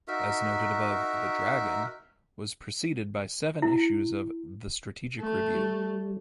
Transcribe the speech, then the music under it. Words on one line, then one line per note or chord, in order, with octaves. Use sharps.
As noted above "The Dragon" was preceded by seven issues of "The Strategic Review".
D#4 F#4 A#4 E5
E4
A3
G3